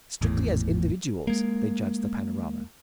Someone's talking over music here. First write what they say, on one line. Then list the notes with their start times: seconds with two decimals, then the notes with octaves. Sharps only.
Strictly as individuals they judge the panorama.
0.21 G#1 E2 A2
1.27 G#3 A#3